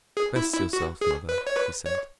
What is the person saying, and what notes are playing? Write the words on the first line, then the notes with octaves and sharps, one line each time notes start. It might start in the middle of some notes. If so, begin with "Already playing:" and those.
"Rest yourself, mother," he said.
G#4
E4
E4
F#4
G#4
B4
C#5
B4
C#5